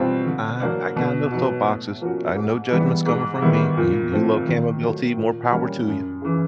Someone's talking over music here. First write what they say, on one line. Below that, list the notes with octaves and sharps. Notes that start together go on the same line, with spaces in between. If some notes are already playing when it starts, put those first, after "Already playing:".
Ah, I got no soapboxes. I no judgments coming from me, you you love chamomile tea, more power to you.
Already playing: B2 G3 C4 F4
D3
F#3 A#3 D4
B2
F#3 B3 D#4 F#4
A2
F3 A#3 C#4 F#4
G#2
E3 G3 B3 E4
G#2
D#3 G3 B3 E4
A#2
F3 A3 C4
D#3
F#3
A3
A#2
G3 A#3 C#4
F#2
C#3 E3